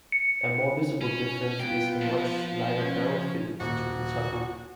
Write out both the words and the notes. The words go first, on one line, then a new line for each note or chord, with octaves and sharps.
A more visible difference is the much lighter barrel fitted to the Tabuk.
C#7
C#4
B3 F4 G5
F3
C#4
D#1 F#4